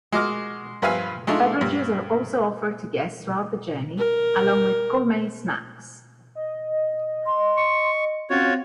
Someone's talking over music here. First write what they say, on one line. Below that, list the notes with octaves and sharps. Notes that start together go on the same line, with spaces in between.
Beverages are also offered to guests throughout the journey, along with gourmet snacks.
G#3 F#4 D#5 D6 F6
G2 F3 B4 E5 F5 G#5
G#3 A3 D4 D#4 F4
G2
A#4
D#5
C6
C#6
C4 C#4 F4 F#4 C#5